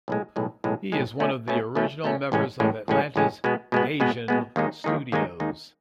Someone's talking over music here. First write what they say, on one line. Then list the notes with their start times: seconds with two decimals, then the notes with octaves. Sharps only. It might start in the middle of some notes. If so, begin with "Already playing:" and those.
He is one of the original members of Atlanta's Gaijin Studios.
0.08 B1 A2 G#3
0.36 B1 A2 G#3
0.64 B1 A2 G#3
0.92 B1 A2 G#3
1.20 B2 A3 C#4
1.48 B2 A3 C#4
1.75 B2 A3 C#4
2.04 B2 A3 C#4
2.32 A1 A2 G#3 C#4
2.60 A1 A2 G#3 C#4
2.88 A1 A2 G#3 C#4
3.16 A1 A2 G#3 C#4
3.44 B2 G#3 B3
3.72 B2 G#3 B3
4.00 B2 G#3 B3
4.28 B2 G#3 B3
4.56 D#2 D#3 G#3 D#4
4.84 D#2 D#3 G#3 D#4
5.12 D#2 D#3 G#3 D#4
5.40 D#2 D#3 G#3 D#4